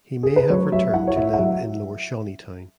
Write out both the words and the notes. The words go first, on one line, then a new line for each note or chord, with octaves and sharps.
He may have returned to live in Lower Shawneetown.
G#4
B4
F#3 C#5
F#3 E5
E4 F#5
C#5
E4 E5
F#5
F#3 E5